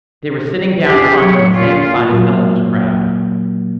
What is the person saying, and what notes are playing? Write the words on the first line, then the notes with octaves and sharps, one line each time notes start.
They were sitting down front on the same side as Eleanor's crowd.
G4 G#4
F#3 C#5
A#2 F4
A#2 F#3 A#3